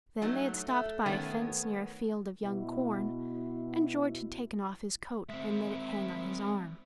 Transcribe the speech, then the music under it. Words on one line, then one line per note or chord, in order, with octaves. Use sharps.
Then they had stopped by a fence near a field of young corn and George had taken off his coat and let it hang on his arm.
F#3 A3 D#4
A3
D#3 A3 B3 C#4
B2 E4
G#3 C4 E5